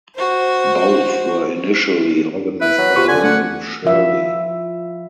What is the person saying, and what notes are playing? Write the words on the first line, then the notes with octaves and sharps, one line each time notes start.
Both were initially organized by William Shirley.
F#4 C5
E4 B4
F#3
F4 G4 C5 C#6
D3 G#5
A3 F#5
F3 F4 E5